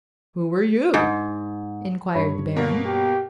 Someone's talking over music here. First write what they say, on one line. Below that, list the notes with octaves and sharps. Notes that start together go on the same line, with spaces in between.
"Who are you?" inquired the Baron.
G#2
G2 C#5 B5
B2 A#3
G4